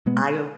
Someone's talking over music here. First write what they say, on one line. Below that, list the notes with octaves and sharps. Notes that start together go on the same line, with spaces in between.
I don't
B2 G#3 B3